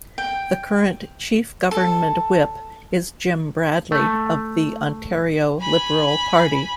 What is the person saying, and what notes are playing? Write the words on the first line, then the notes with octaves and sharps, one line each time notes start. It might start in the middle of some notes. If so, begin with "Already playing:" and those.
The current Chief Government Whip is Jim Bradley of the Ontario Liberal Party.
G5
A4
A3
G#5 B5